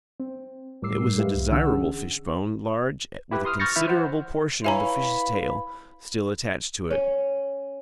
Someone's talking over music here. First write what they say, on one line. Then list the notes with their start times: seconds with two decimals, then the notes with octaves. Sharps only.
It was a desirable fishbone, large, with a considerable portion of the fish's tail still attached to it.
0.20 C4
0.82 A2 G3 A#4 D6 E6 C7
1.18 G#3 G4 B4 E5 F5
1.34 C2
1.51 D3 E3 D4 F#5 E6
1.67 C#4 G#4
3.31 E4 G4 B4
3.45 C6 D#6 F6
3.60 C#6 F6 G6 A6 A#6 C#7
3.76 E3 E4 E5 F6
3.88 C5 F#5
4.64 E4 B4 C#5 E5 F5 G#5 A#5 B5
6.90 C#4